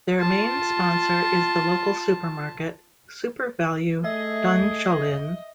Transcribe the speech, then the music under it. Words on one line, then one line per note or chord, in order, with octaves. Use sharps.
Their main sponsor is the local supermarket, SuperValu Dunshaughlin.
F4 A5
A3 G#4 D#5 E5